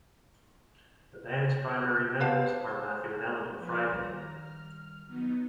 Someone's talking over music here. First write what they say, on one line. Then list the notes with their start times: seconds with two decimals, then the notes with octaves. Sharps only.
The band's primary members are Matthew and Eleanor Friedberger.
2.20 B3 G4 C5 F5 A5
3.57 F3 B4 G#5
3.93 D#3 G3 A#5
4.35 F6
5.06 F#3 B3 D#4